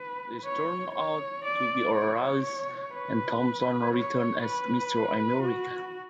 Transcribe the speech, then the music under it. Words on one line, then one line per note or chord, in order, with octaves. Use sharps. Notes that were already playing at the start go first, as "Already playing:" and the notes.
This turned out to be a ruse, and Thompson returned as Mister America.
Already playing: B4
C#5
C#5
D5
C#5
B4
C#5
B4
F#4